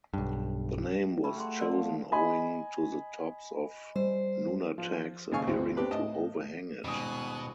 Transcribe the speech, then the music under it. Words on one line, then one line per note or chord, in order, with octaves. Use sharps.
The name was chosen owing to the tops of nunataks appearing to overhang it.
B1 G2
G3 A3 G#5 B5
F#4 G#4 C6
A#4 D5 C6
F3
D#5 G#5 B5
G3 C5
F3
G#1 A#2 C#3 F5 G#5 C#6
D2 G2 C4 F#4
C4 D4 G4 B4
A2 D#5 A5
D#1 G#2 B2 G#5 D#6 F#6